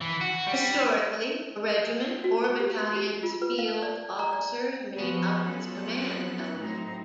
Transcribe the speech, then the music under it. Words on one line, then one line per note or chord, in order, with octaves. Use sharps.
Historically, a regiment or battalion's field officers made up its command element.
E3
F#4
G3
F#4
C#6
G4
C6
G4
F4
B4
F5
D5
A#5
D5
F3 B3 F#4 B4 G#5
F#3 B3 C#4 F4 A4 F#6
A2 F#3 C4 D#4 A#5